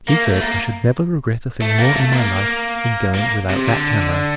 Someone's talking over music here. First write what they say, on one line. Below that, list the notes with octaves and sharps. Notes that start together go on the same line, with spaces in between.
He said I should never regret a thing more in my life than going without that camera.
A#3
A3
A#3
A3
A#3
A3
A#3
A#3
C3
D3